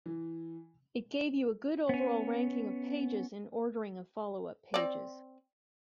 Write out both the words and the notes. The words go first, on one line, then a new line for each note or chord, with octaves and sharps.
It gave you a good overall ranking of pages and ordering of follow-up pages.
E3
B3 C#4
C4 D5